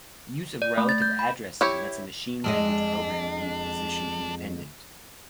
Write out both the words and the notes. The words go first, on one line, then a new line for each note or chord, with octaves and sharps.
Use of relative addressing lets a machine-language program be position-independent.
D5
A3
A6
G6
B5
E4 G4 C#5
F2 G#3 D4 D#5